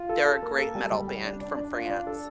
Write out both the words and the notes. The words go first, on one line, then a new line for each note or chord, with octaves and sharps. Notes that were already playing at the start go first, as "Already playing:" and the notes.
they're a great metal band from France.
Already playing: F4
A4
A4
A#3
A4
G3
G3
G3
D4
D4
D4
F4
D4
A4